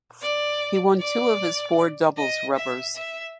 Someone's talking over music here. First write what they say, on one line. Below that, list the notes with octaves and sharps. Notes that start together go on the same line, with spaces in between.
He won two of his four doubles rubbers.
D5
D5
D#5
E5
E5